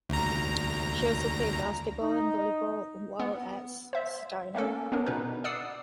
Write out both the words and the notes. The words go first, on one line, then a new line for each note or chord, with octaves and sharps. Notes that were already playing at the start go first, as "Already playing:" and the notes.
She also played basketball and volleyball while at Steinert.
D2 A#5
D#4
B3
C5 E5
A3 A#3 C#4 A4
B3 C#4 D4 A#4
B2 D#4 B4
D5 F#5 D#6 E6 C7